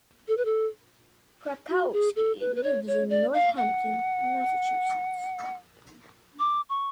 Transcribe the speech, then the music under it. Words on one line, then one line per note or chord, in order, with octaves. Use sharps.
Krakowski lives in Northampton, Massachusetts.
A4
B4
A4
F#4
G#4
A4
B4
B4
C#5
C#5
D5
F5
F#5
D6
C#6